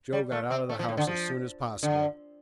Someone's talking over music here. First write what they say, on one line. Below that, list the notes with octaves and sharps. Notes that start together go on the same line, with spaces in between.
Joe got out of the house as soon as possible.
G3
A3
C4
A3
F3
A2
D3
F3
D3